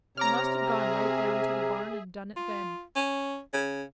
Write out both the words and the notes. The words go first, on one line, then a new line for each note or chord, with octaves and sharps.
He must have gone right down to the barn and done it then.
C3 C#5 A#5 D6 F6
G#4 E5
F4
C#4
C#3